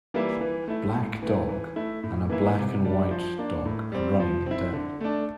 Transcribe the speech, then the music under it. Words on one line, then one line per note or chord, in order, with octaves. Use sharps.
A black dog and a black and white dog are running in dirt.
E3 G3 A#3 E4
E3
A3 E4
A2
E3 A3
E3
A3 E4
A2
E3 A#3 E4
C3
G3 D4
F3
A#3 D4
A2
G3 C4
F3
C4 E4
D3
A3 D4